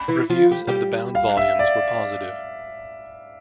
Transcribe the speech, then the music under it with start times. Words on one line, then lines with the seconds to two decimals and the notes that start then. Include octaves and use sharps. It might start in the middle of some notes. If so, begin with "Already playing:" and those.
Reviews of the bound volumes were positive.
Already playing: B5
0.08 E3 E4
0.30 F3 F4
0.51 G4
0.67 G3 G4
1.15 F5
1.37 E5
1.59 D5